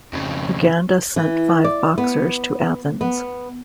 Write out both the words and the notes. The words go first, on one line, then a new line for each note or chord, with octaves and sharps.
Uganda sent five boxers to Athens.
F2 C#3
E3
D5
B3
B3